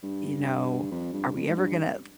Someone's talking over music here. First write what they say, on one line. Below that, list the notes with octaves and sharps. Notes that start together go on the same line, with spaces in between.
you know, are we ever gonna"
G2
F2
G2
F2
G#2
G2